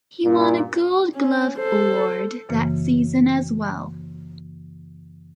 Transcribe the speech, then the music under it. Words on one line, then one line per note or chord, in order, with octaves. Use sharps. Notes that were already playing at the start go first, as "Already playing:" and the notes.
He won a Gold Glove Award that season as well.
G2 A#2
C#4
A4 C5
F#2 C#3 E3 A#3